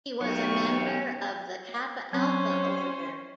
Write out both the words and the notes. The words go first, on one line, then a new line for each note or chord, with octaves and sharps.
He was a member of the Kappa Alpha Order.
B1 G4 C#5 C#6
F#3 C4 C#4 C5